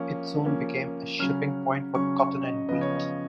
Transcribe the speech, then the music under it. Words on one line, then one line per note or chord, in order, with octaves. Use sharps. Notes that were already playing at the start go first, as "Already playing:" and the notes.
It soon became a shipping point for cotton and wheat.
Already playing: F3 A#3 C#4
F3 A#3 C#4
C#3 F#3 C#4 F6
C#3 F#3 C#4 C#6
C#6
D#5
C#3 F3 B3 D#5
C#5
D#5